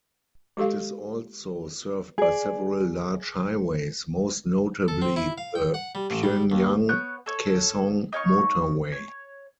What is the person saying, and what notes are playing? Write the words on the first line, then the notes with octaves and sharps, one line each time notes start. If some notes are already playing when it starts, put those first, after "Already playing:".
It is also served by several large highways, most notably the Pyongyang-Kaesong Motorway.
G#3 G4 A4 F5
G#4 D5
A4
C4
E4
F5
G5
F#5
G3
A1
G3
D#2
B3 C#5 F#6 G6
A4 C#5
D#4 C#5 F5 C#6
C#5